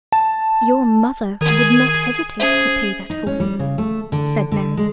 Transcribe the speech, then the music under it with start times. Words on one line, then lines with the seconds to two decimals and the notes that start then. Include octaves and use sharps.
"Your mother would not hesitate to pay that for you?" said Mary.
0.12 A5
1.41 D#3 G#4 A#4 G#5 G#6
2.40 C#4 G#4 C5 E5
3.10 D#4
3.27 C#4
3.40 G3
3.59 C#3
3.78 A3
4.12 D3
4.52 D3
4.77 G#3